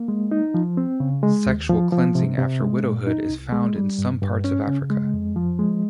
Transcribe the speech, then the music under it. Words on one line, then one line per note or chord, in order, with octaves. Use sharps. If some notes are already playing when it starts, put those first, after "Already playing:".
Sexual cleansing after widowhood is found in some parts of Africa.
Already playing: A#3
G#3
D#4
F3
C4
C#3
G#3
D#2
F3
F3
C3
C3
G#3
A#2
D#4
C2
G#3
G3
G2
G2
C#4
C#3
G#3
F2
F3
G#3